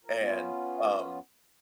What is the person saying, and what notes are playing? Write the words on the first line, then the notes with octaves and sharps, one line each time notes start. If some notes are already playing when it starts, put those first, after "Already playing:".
and, um,
F3 A#4
B3 C#4 F4